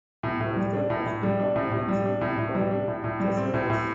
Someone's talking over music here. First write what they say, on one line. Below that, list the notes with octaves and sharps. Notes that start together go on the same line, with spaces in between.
It was the first comprehensive Nepali thesaurus.
A2
A2
G3
D4
A2
A2
G3
D4
A2
A2
G3
D4
A2
A2
G3
D4
A2
A2
G3
C4
A2
A2